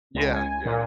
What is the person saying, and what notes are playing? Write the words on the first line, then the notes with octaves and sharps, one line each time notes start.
Yeah, yeah.
C#2
G#5
A#2